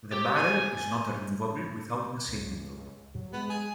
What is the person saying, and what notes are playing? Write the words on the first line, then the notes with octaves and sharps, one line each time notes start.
The barrel is not removable without machining, though.
G4
G#5
C#2
F#3
G#3 B3
G#4